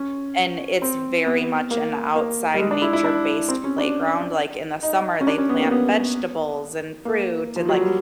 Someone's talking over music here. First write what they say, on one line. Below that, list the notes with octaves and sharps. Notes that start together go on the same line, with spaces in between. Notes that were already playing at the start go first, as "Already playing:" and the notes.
and it's very much an outside nature-based playground, like, in the summer, they plant vegetables and fruit and like
Already playing: C#4
C4
B3
A#3
A#3
G3
G#3
D4
E4
E4
D4
C4
C#4
D4
D#4
C#4
D4
C#4
B3
A#3
B3
A#3
F3
F#3
G3